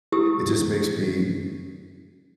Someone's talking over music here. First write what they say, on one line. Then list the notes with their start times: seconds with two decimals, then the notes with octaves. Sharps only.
it just makes me,
0.12 E4 G4 D#6 E6